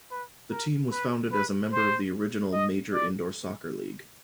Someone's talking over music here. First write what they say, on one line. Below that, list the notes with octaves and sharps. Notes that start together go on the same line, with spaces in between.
The team was founded as a member of the original Major Indoor Soccer League.
B4
A#4
B4
B4
C5
D#5
D5